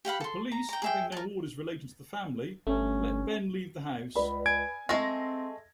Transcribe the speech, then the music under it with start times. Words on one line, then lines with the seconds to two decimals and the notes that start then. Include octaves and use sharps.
The police, having no orders relating to the family, let Ben leave the house.
0.05 G4 F5 F#5 B5
0.20 A4 C6
0.52 A#5
0.69 G5 A#5
0.82 G#4 E5 G5
1.12 A#4 A5
2.67 G1 A3 C#4
4.15 C#2 B4 D5 B5
4.46 G#5 G#6 D7
4.89 G#3 A3 C4 A#6